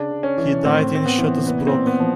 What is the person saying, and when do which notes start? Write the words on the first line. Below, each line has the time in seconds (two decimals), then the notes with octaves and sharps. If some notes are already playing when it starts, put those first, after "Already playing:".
He died in Shottesbrooke.
Already playing: C#3 D4
0.10 C#3
0.23 C#4
0.38 E3
0.65 A2 C4
0.92 A2 C4
1.06 B3
1.18 E3
1.46 A#2 B3
1.67 C4
1.73 A#2
1.87 B3
2.00 F3